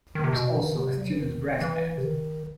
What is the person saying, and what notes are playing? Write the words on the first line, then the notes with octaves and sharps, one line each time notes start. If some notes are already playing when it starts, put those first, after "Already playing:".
There is also a student brass band.
D#3
C3
B2
E3
D#3
C3
G3
F#3
E3
D#3
E3
C3
D#3